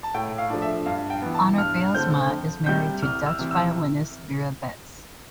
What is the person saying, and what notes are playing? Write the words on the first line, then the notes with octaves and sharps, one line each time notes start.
Anner Bylsma is married to Dutch violinist Vera Beths.
A5
A2 G5
F5
F3 A3 D4
E5
G2 F5
G5
E3 B3
A5
G2 F6
D3 A3 C4 G6
F2
C3 G3 G6
C2 F6
E6
C3 E3
E6